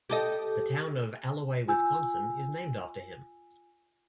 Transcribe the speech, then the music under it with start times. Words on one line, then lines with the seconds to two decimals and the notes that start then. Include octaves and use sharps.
The town of Allouez, Wisconsin is named after him.
0.09 G4 A4 D#5
1.68 F4 G#5 E6 G6